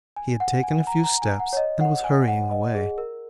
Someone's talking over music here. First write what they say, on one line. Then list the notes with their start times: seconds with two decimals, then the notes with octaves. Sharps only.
He had taken a few steps, and was hurrying away.
0.16 G#5
0.40 F#5
0.63 G#5
0.87 A#5
1.04 A#5
1.22 G#5
1.40 F#5
1.53 C#5
1.57 D#5
1.81 F#5
2.04 G#5
2.28 F#5
2.51 D#5
2.75 G#4
2.98 A#4